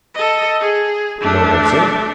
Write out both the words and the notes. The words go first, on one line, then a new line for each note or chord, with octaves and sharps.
No answer.
A4 D#5
G#4
A3 D4